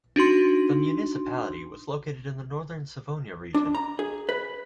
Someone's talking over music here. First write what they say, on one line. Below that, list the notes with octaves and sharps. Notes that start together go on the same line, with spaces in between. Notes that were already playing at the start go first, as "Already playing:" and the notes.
The municipality was located in the Northern Savonia region.
D4 D#4 F#4 C6
D4
A#5
G#4
B4